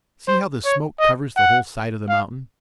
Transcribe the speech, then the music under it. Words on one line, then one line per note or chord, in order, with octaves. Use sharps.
See how the smoke covers the whole side of the mountain.
C5
C#5
D#5
F#5
F5